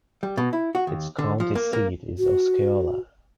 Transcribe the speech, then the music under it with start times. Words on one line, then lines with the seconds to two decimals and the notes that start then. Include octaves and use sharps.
Its county seat is Osceola.
0.23 G3
0.37 B2
0.53 E4
0.75 F#4
0.87 D#2
1.19 D3
1.40 F3
1.55 A#3
1.73 A#3
2.19 F#4